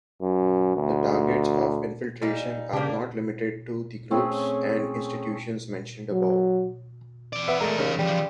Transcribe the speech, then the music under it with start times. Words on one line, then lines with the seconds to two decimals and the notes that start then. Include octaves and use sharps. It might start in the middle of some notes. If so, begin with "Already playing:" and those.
The targets of infiltration are not limited to the groups and institutions mentioned above.
0.22 F#2
0.76 D2
2.22 A#2 G3 D#4
2.73 C#3 A#3 D4 G4
4.11 A3 C4 C#4 G#4
6.11 F#3
7.33 E3 D5
7.48 B3 E5
7.61 G#3 A3 A#4
7.78 D#2 C#3
7.99 E3 F3 G3